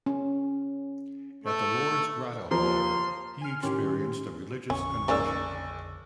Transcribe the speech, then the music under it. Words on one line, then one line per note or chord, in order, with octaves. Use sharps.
At the Lourdes grotto however, he experienced a religious conversion.
C#4
A3
D#2 F3 A#4 C6
G#5 F6
A2 D#3 C#4 G4 C6
A#1 F2 D3 C#4 C#6
F#1 A#3 C#4 D#4 D5 E6